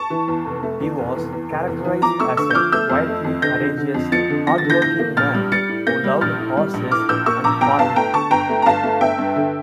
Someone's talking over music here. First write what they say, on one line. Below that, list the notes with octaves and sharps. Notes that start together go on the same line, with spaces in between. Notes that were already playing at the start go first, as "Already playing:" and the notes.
He was characterized as a quietly courageous, hardworking man who loved horses and farming.
Already playing: A5 C#6
E3
E2
F1
A3
E2
F1
E2
E2
F1
E2
E3
F3 A#5 D6
A3 C#6 E6
D3 C#6 E6
G6
F3 D6 F6
A3 E6 G6
F2
A3
F2
D3 G6 A#6
D3
D3
F2
F3 A6 C#7
D3
F3 A#6
A6
D3
G6 A#6
A2 G6 A#6
A#3
A#1 F6 A6
G3
G3 A6 C#7
A2
A#3 G6 A#6
G3
A#1 F6 A6
A2
G3
A#1
A2 D6 F6
A#1 E6 G6
A#3 C#6 E6
A#1 A#5 D6
G1 G5 A#5
G1 F5 A5
A3 G5 A#5
D3 A5 C#6
G1 G5 A#5
A3
A#5
G1 F5 A5
A3
G1 E5 G5
G2
D3